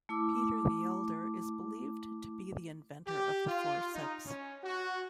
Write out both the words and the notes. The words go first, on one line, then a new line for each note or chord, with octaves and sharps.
Peter the Elder is believed to be the inventor of the forceps.
A3 E4 D6
G4
F4
D#4
C#4
F#4